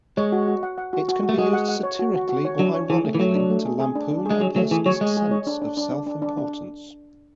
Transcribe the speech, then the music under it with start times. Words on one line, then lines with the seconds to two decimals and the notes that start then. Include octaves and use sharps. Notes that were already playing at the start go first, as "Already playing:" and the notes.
It can be used satirically or ironically to lampoon a person's sense of self-importance.
0.17 G#3 C#5
0.32 F#4
0.48 F#4
0.63 F#5
0.78 F#5
0.93 F#4
1.08 F#4
1.23 F#4
1.29 A3
1.38 G#3 F#4
1.53 F#5
1.69 F#5
1.83 C#5
1.99 F#4
2.14 F#4
2.29 F#4
2.45 C#5
2.59 F#3 D4
2.74 C#5
2.90 E3 G#4
3.04 A3
3.15 E3
3.19 F#3 A3
3.35 D4
3.50 A3
3.65 G#4
3.80 G#4
3.95 D4
4.11 D4
4.26 G#3 G#4
4.40 F#3 G#4
4.56 F#3 A3
4.71 E3 G#4
4.86 F#3 C#5
5.01 G#3 G#4
5.17 G#4
5.31 C#5
5.47 D4
5.62 D4
5.77 D4
5.92 D4
6.06 D4
6.22 D4
6.37 D4